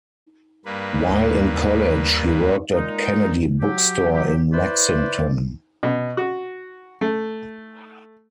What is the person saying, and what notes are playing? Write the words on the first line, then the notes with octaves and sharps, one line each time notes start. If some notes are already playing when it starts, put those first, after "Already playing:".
While in college, he worked at Kennedy Book Store in Lexington.
G2 A#3 B4
D#2
A#2 G#3 D#4
F#3 G4
E4 B4 C5 D5
B2
F#4
A3